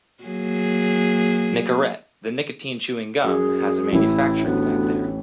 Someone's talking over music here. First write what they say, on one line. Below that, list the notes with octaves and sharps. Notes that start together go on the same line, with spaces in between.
Nicorette, the nicotine chewing gum, has a manufacturing plant there.
F#3 A#3 G#4
F#2 G#4
A1 E3 E4
D2 B3